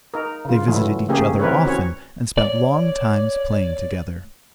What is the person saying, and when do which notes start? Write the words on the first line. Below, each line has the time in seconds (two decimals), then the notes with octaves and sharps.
They visited each other often and spent long times playing together.
0.14 D#4 A#4
0.45 C#3 F4
0.68 E3 F#3 A3 E4
1.08 C#3 A3 A#3 C#4 G4 G#4
1.40 E3 C4 A#4 B4 C#5
1.65 C#4 F#4 C#5
2.38 C#5 D5